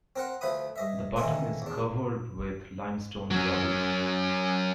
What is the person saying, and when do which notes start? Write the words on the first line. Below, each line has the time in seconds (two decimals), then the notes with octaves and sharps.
The bottom is covered with limestone rubble.
0.16 C4 A#4 F#5
0.41 D2 F3 B4 E5 B5 D#6
0.76 G2 D#5 E5
1.16 D#3 E3 A3 A#3 D#4
1.62 E2 D4
3.31 F#3 C#4